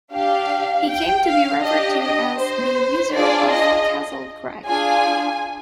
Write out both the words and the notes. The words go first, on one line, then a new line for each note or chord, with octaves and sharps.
He came to be referred to as "The Wizard of Castlecrag".
D4 G4 F5
G5
F5
D4 G4 D#5
D#5
C5
D4 F4 G#4 D5
D#5
D4 F4 G#4 G#5